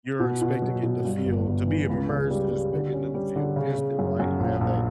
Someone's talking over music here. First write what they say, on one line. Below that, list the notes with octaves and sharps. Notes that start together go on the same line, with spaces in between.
you're expecting it to feel to be immersed and expecting it to feel instant, right? And have that
B2
B2
F#3
B2
G2
G1
G1
E3
C#2
C#3
G3
G3
D3
C#4
G3
D3
C#3
C#3
F#2
F#2
A#1
A#1